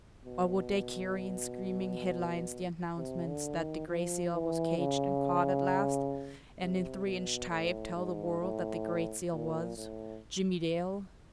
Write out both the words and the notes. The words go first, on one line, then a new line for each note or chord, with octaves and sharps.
Or would they carry in screaming headlines the announcement that the Gray Seal was caged and caught at last, and in three-inch type tell the world that the Gray Seal was--Jimmie Dale!
B2
C3
D3
D#3
F3
E3
C#3
C3
B2
A2
G#2
A2
A#2
A2